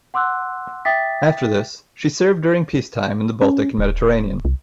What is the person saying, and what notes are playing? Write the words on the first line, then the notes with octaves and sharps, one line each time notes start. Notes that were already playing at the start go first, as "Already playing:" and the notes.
After this, she served during peacetime in the Baltic and Mediterranean.
F#5 C6 D6 E6 F#6
E5 G5 D6 D#6 A6 B6
C#4
D1
C2